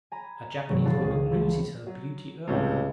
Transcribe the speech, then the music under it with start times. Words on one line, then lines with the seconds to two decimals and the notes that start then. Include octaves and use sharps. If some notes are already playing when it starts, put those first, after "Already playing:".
A Japanese woman loses her beauty early.
0.12 G#5 A#5 B5
0.68 G2 C3 E3 F#3 G#3 A#3
0.85 D#1 D4 F5 A5 F#6 A6
1.01 C#2 G#3 G#4 C7
1.30 E3 F3 A3
1.87 F#3
2.48 C#2 A2 C3 G3